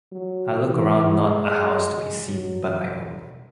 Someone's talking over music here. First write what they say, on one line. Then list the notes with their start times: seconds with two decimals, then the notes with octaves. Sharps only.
I look around not a house to be seen but my own.
0.12 F#3
0.66 E3
1.18 G#3
2.26 F#3